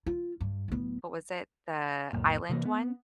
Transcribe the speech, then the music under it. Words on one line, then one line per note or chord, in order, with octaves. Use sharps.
what was it, the island one?
F4
G2
D1 B3
C#2 F#2 A#2
C3 E3 G3 A#3
B3